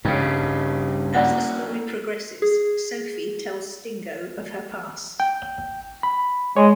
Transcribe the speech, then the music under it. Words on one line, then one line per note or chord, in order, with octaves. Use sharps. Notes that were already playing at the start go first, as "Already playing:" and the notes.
As the story progresses, Sophie tells Stingo of her past.
G2 C#3 G3 D#4 G4
A#3 E4 F#4 D5 F#5
G#4
G5
B5
G#3 C#5